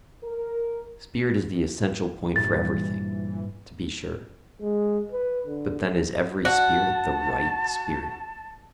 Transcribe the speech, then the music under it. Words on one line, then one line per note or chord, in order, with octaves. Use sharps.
Spirit is the essential point for everything, to be sure; but then is every spirit the "right" spirit?
A#4
G2 A#2 E3 G3 A6
G#3
B4
D3
F#4 A5